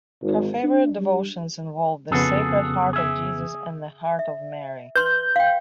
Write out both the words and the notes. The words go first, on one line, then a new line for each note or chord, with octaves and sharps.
Her favorite devotions involved the Sacred Heart of Jesus and the Heart of Mary.
G#1
D4
G3
F2 C#3 B3 F#4 G#4 A4
G#4 E5
E5
B4 C6 G6
F5 G5